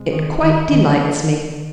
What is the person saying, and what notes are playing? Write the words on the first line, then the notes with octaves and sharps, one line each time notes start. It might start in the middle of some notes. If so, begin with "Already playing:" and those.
It quite delights me.
Already playing: C3 G#3 C4
D#3 D#6
D#3
D#3